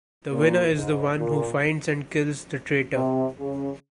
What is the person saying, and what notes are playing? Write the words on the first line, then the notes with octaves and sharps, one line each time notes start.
The winner is the one who finds and kills the traitor.
A#2
G#2
A#2
C3
C#3